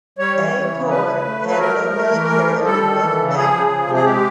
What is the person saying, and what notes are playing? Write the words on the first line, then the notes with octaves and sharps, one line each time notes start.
Akar has no military or defense background.
G3 C#5
E3
E3
C#3
F3 B4
C#3
A3
F#3
B4
A3 A#4
F3
A3
E3
A3
F3
G3 A4
D#3
E3
C#3
A4
F3 G#4
C#3
F3
C3
G#4
G#3 G4